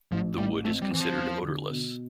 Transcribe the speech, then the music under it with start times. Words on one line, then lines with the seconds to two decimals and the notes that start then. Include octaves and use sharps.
The wood is considered odorless.
0.12 A1 F3
0.38 A1 G3
0.64 A3 C4
0.82 G3
0.91 E3 C4
1.00 F3
1.17 E2
1.43 D3
1.70 B2